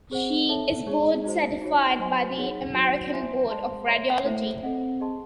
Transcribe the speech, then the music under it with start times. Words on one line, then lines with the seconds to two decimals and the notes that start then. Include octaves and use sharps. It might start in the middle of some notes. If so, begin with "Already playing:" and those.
She is board certified by the American Board of Radiology.
0.11 C4 G#4 C5 F#5
0.49 A4 C#5 E5 A5
0.87 G#3 D#4 G#4 C#5
1.24 D#4 F#4 C5
1.62 D#4 F#4 C#5
1.99 F#3 C5 D#5 G#5 C6
2.37 D#4 G#4 C#5 F#5
2.75 F#3 D#4 F#4 C5
3.12 E4 C5 E5 G#5 C6
3.49 G#3 C5 D#5 A5 C6
3.87 C#5 E5 C6
4.24 A3 E4 A4 C5 E5
4.63 C4 A4 D#5 F#5
5.00 G#4 D#5 A5 C6